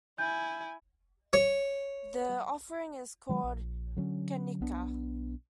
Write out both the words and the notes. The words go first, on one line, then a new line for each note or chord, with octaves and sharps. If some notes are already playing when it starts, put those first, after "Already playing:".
The offering is called 'Kanikka'.
E4 G#5 G6
C#5
D#3 F#3 G#3
A#1
D3 F#3 C#4
B1 B3 D4